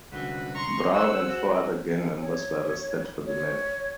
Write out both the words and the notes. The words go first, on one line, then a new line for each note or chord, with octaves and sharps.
Brown and four other gang members were arrested for the murder.
C2 D3 F#4 B4
A#5 C6 C#6
G#4 C5 F#5 E6
F#4
C#5
C#5